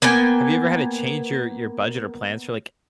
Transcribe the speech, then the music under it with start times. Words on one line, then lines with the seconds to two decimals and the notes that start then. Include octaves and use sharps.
Have you ever had to change your your budget or plans for, like,
0.02 A#3 B3 G5 G#5